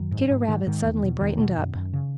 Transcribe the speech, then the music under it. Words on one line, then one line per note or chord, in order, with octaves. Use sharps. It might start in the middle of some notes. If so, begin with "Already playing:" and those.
Peter Rabbit suddenly brightened up.
Already playing: F#2 D#3 F#3
G#2
G#2
G#2 D#3
G#2 D#3
E2
B2
E2 D#3
B2
F#2
F#2
C#3